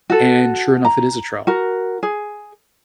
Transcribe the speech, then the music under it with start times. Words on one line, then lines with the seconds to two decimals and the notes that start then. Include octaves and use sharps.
and sure enough, it is a trail.
0.10 F#4 A4
0.85 A#5
1.47 F#4 A#4
2.03 G#4